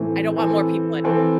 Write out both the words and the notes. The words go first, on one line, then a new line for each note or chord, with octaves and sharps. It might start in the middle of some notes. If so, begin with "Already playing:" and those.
I don't want more people in
Already playing: A2 E3 A3 C4
E3 C4 A4
E3 C4 A4